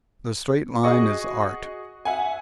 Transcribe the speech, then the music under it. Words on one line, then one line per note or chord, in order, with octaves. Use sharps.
The straight line is Art.
F#4 G#4 D#5 C#6
E5 F#5 G#5